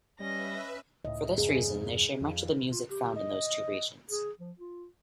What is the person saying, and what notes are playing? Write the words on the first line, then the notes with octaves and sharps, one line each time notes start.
For this reason, they share much of the music found in those two regions.
G3 C#4 B4 D#5 E5 A#6
C#2 A2 D#5
E2 G2 C3 G#4
F2
F4
G4
D#5
G#4
F3
F4